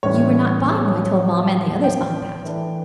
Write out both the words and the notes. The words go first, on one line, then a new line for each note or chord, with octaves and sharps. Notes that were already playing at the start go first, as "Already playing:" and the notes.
You were not by, when I told mamma and the others all about it.
A2 E3 G3 C#4 C#5
G5
E3 A3 D4